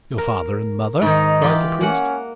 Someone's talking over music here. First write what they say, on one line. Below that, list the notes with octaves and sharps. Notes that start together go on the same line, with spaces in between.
"Your father and mother?" cried the priest.
A#4
G#2 D#3 D#4
E3 F4 G4
A#3 C#4 F#5